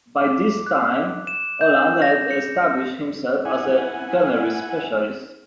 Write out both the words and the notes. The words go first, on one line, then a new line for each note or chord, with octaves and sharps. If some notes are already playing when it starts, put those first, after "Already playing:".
By this time, Holland had established himself as a gunnery specialist.
D6
F#6
E7
G6
A#6
C#7
E4 F#5 G#5